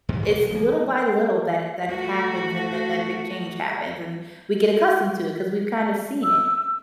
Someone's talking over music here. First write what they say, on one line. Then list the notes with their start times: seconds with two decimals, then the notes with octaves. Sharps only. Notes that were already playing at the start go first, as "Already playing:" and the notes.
It's little by little that it that it happens, and then that big change happens, and we get accustomed to it ‘cause we've kind of seen it.
0.09 D#2 G#2 C3
0.23 B1
0.51 F3 A#3
1.89 A3 F#4
6.23 E6